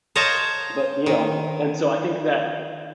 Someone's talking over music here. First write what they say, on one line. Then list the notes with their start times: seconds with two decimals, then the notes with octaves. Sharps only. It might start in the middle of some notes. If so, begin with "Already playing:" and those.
"but, you know" And, so, I think that
0.16 C5 C#5 D#5 F5 A5 A#5
1.06 D#3